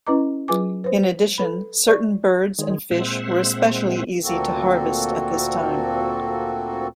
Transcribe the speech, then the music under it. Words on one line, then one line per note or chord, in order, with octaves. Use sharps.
In addition, certain birds and fish were especially easy to harvest at this time.
C#4 E4 B4 D#5 A#5 D6
F#3 F4 G#4 B4 G#5 D6
B4 C5
A4 B4 B5
D5 C#6
D#3 G#3
A#2 G#3 C4 C5 E5 F#5
D2 A#2 A#3 C4 F#4 A4